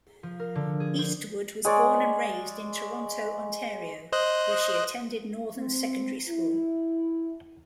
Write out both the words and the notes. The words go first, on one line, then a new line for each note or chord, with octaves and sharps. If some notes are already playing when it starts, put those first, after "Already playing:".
Eastwood was born and raised in Toronto, Ontario, where she attended Northern Secondary School.
F3
A#4
D3
G#4
C5
G#3 C#5 D5
C5 D#5 F#6
C4
E4